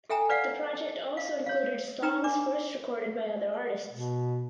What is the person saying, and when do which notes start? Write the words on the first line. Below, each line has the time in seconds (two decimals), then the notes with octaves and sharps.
The project also included songs first recorded by other artists.
0.10 A4 E5 G5 G#5 A#5
0.29 B4 D5 F5 F#5
1.17 F5
1.46 C#5 F5
2.02 D#4 B4 G5 A#5
2.24 D4 D6
3.91 B2